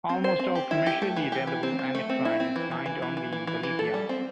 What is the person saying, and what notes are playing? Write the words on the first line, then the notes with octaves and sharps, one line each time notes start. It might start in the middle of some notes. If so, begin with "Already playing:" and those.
Almost all commercially available ametrine is mined only in Bolivia.
C4
C5
C4
G4
E4
G4
A3
E3
G4
E3
C4
C4
A3
C4
E4
C4
E3
E3
E3
E3
E3
E3
E3
E3
A4
G3
C4